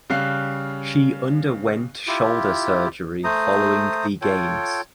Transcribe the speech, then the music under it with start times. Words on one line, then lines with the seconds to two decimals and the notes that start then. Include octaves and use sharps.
She underwent shoulder surgery following the Games.
0.10 C#3 G3 F5 F#6 C7
2.07 E4 F4 G4
3.24 A3 C5 A#5 D#6
4.22 F4 A4 C#5 G5